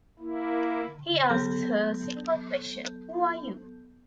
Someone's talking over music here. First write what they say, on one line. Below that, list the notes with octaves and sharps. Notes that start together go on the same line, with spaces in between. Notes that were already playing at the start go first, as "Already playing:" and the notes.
He asks her a simple question: Who are you?
A#3 E4
F#3 B3 A4 A5 G6